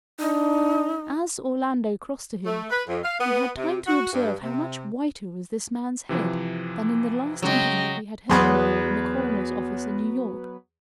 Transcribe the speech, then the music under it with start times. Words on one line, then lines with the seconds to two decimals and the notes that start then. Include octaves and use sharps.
As Orlando crossed to him, he had time to observe how much whiter was this man's head than in the last interview he had held with him in the coroner's office in New York.
0.20 D4 D#4
2.45 A3
2.70 B4
2.87 F2
3.03 F5
3.20 B3
3.57 C3
3.87 F#4
4.12 G2
4.41 C3
6.09 C3 E3 F3
7.42 C#3 F#3 G#3 D#5 G5
8.30 E2 F#3 B3 B4 C6